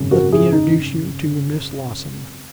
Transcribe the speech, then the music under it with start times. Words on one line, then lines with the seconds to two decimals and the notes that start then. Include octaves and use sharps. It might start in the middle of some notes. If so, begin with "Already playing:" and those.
'Let me introduce you to Miss Lawson.
Already playing: G#1 F#2 C#3
0.11 F#4 A#4
0.32 E4 G#4
0.53 D#4